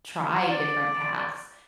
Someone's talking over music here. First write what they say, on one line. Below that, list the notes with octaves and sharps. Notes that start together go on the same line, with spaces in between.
try different paths.
D5